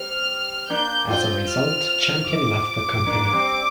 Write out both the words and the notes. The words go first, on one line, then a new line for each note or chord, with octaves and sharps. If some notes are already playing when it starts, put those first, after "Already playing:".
As a result, Champion left the company.
Already playing: G3 C4 F6
A#3 D4 G6
C4 F4 G6
F6
D6
A#3 D4
A#3
G3 C4